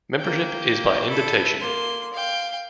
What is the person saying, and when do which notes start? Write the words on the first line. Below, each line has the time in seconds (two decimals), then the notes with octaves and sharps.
Membership is by invitation.
0.19 A#3 G5
1.09 E4 A4
1.60 A#3 C6
2.14 F5 G5